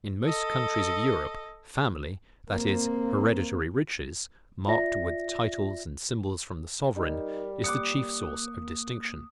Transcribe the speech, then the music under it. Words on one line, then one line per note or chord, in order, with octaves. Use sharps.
In most countries of Europe, family, that is, hereditary riches, marked with titles and symbols from the sovereign, is the chief source of distinction.
A4 D#5
A#3 C4
F4 D5 E5 A#6
G3 D#4 A#4
A#3 D6 D#6 F#6 C#7